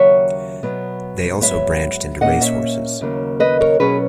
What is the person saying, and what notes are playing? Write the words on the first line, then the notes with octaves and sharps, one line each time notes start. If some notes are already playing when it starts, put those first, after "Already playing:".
They also branched into race horses.
Already playing: D#2 C#3 F#3 C#5 E5
B2 F#3 B3
G#2 F#3 B3 C#5 E5
A#2 A#3 C#4 D#5 F#5
C#5 E5
D#2 C#3 F#3 A#3
B4 D#5
A#4 C#5
B2 F#3 C#4 G#4 B4